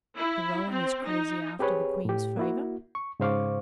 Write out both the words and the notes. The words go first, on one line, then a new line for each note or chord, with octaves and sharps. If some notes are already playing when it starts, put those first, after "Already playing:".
De Rohan is crazy after the Queen's favor.
E4
C4
D#4
C4 G4 G#4 B4 C#5
A2 G4
A#3 E4 F#4
C#6
G#2 C#3 C5 F5 C#6 D6